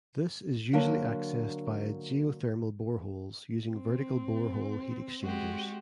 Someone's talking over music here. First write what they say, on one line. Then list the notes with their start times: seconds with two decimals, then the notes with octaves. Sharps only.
This is usually accessed via geothermal boreholes using vertical borehole heat exchangers.
0.73 D3 F#3 A#3
3.73 C4
5.22 G#3 F#4 G4